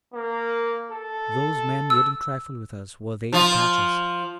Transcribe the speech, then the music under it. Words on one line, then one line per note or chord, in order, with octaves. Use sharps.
Those men wouldn't trifle with us, were they to catch us.
A#3
A4
E6
F3 F4